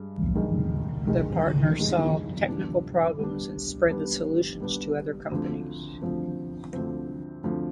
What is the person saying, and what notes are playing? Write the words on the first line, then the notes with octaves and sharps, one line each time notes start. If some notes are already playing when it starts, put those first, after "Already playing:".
The partners solved technical problems and spread the solutions to other companies.
Already playing: G2 G#3
G2 D#3 G#3
G2 D#3 G#3
G2 D#3 G#3
G3 B3 D4
G3 B3 D4
G3 B3 D4
G3 B3 D4
D2 D3 F3 C4
D2 D3 F3 C4
D2 D3 F3 C4
D2 D3 F3 C4